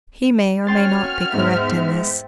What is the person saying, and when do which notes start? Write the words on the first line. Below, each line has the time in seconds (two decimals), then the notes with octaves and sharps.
He may, or may not, be correct in this.
0.67 C#4 F#4 C#5 G5 C6 F6 A6
1.33 E2 G#2 C5 E5